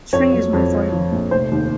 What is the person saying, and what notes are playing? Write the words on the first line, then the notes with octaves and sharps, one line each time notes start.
String is my foible.
F2 C#5
F#3
F2
F3
F3
A#1
F1 C5
D#2